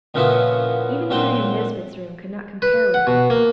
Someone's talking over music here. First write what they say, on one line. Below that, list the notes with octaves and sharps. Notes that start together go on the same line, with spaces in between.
Even Miriam Nesbit's room could not compare with it.
A#2 C#3 F3 B3 E4 F#4
A#2 F#3 C4 D4 C5
B4
F#5
B2
A#3